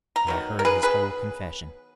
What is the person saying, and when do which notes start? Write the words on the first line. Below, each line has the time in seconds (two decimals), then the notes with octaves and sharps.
And I heard his whole confession.
0.16 A#5
0.27 D#3 F#3 B3
0.59 A#4
0.65 G#4 B4
0.83 G#4 B4